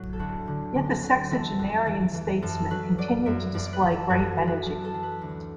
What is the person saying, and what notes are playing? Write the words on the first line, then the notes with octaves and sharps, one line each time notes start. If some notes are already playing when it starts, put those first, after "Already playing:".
Yet the sexagenarian statesman continued to display great energy.
Already playing: A2 F#3
A4
D2 F#4
D3
D3
F#3
E3 A4
E2
E3
E3
F#2 A4
F#3 B4
F#3 D5
F#2 E5
F#2 D5
D5
B4
E3
A4
F#2 F#4
E3
B4
F#3 A4
A4
F#3
B4
D2